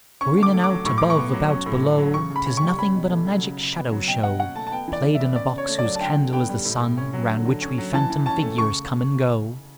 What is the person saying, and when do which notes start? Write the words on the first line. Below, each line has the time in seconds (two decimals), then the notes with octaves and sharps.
For in and out, above, about, below, 'Tis nothing but a Magic Shadow-show, Play'd in a Box whose Candle is the Sun, Round which we Phantom Figures come and go.
0.21 C#4 C#6
0.37 D3
0.43 D6
0.53 A3
0.64 D6
0.70 F#3
0.85 A2 C#6
0.98 A2 D6
1.10 C#6
1.17 B3
1.33 F#3
1.50 C#4
1.66 A2
1.82 A3
1.98 F#3
2.14 C#3 C#6
2.30 C#3
2.36 B5
2.46 C#4
2.57 C#6
2.62 G3
2.68 C#6
2.78 C#4 B5
2.95 B2
3.10 A3
3.26 F#3
3.43 C#3
3.59 C#3
3.75 B3
3.91 F#3
4.07 B2 G5
4.23 B2 F#5
4.39 C#4 F#5
4.56 A3 A5
4.67 A5
4.72 B3 G5
4.88 E3
4.93 D5
5.04 E3
5.15 E5
5.20 B3
5.36 C#4 D5
5.52 C#3
5.58 C#5
5.69 A3
5.79 D5
5.84 F#3
5.95 A5
6.01 D3 G5
6.16 D3
6.33 B3 G5
6.49 G3
6.65 A2
6.81 A2
6.97 C#4
7.13 F#3
7.29 D3
7.45 D3
7.62 C#4
7.78 F#3
7.94 E3 A5
8.10 E3
8.26 C#4 A5
8.42 A3
8.58 C#3 C#6